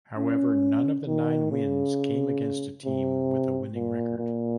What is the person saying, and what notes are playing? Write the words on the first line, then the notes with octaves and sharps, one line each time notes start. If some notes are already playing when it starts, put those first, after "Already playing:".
However, none of the nine wins came against a team with a winning record.
C#4
D#3
C#3
C3
A#2
A#2